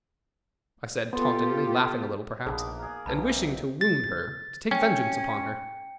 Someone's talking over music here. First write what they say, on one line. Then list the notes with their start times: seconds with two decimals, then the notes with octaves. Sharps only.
I said tauntingly, laughing a little perhaps, and wishing to wound her, to take vengeance upon her.
1.13 B3 F4 G4 A4 C6
2.46 A#1 A#3 B3 D#4 G#4 A#4 D5
2.60 D#6
2.79 G#4 A#4
3.06 B1 B4 A5 B5
3.22 C3 G4 A#4
3.81 A6
4.71 C#4 G5 C#7